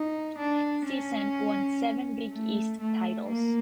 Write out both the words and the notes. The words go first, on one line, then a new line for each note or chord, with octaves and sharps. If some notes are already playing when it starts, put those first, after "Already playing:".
Sisson won seven Big East titles.
Already playing: D#4
D4
C#4
A3
A3
A#3